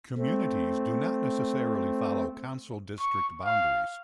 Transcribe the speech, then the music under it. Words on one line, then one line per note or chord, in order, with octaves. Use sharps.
Communities do not necessarily follow Council District boundaries.
A3 C4
C#6
F5